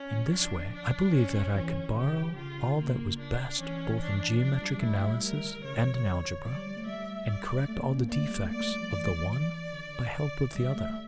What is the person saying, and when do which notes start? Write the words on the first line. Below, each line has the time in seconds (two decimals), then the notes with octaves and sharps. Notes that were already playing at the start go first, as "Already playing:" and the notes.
In this way I believed that I could borrow all that was best both in geometrical analysis and in algebra, and correct all the defects of the one by help of the other.
Already playing: C#4
0.13 D3
0.33 F3 D4
0.74 D4
1.15 C#4
1.55 E3 C#4
1.77 D3
1.97 C#3 G4
2.17 D3
2.37 C#3 F4
2.58 C#3
2.78 A#3
3.19 D4
3.60 E3 C#4
4.00 D4
4.42 F3 D4
4.52 F3
4.62 G3
4.77 G3
4.82 A3 E4
5.03 G3
5.23 G3 A#4
5.44 D3
5.64 C#3 C#5
5.74 D3
5.85 F3
5.95 D3
6.46 F3 D5
6.56 G3
6.67 G3
6.77 A3
6.87 G3 E5
7.28 D5
7.68 A3
7.79 A#3
7.89 C#4
7.99 A#3
8.09 A#3 D5
8.19 A3
8.30 G3
8.40 A3
8.50 A#3 D5
8.60 A3
8.71 G3
8.81 F3
8.91 E3 D5
9.32 D5
9.73 D3
10.13 D5
10.54 G3 E5
10.75 A3